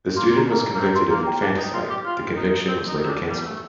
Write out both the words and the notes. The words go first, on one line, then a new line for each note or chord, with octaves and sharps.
The student was convictied of infanticide, the conviction was later cancelled.
A#3 C6
A#5
A#3
A#5
A#3
C4
C6
A#3 A#5
G5
D4
D#4
F4
G4
F4 F6
D#4
C4
D#4
C4
D4
G3
A3